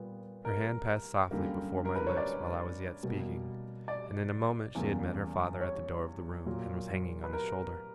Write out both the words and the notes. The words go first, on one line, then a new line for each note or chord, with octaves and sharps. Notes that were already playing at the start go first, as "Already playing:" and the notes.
Her hand passed softly before my lips while I was yet speaking, and in a moment she had met her father at the door of the room, and was hanging on his shoulder.
Already playing: A#2 G3 B3
A#4
F#2 D3 G3 A#3
A#4
B4
C#5
D5
B2 G3 A#3
D5
E2 C#3 G3 A#3
C#5
A#2 F#3 A#3
B4
A#4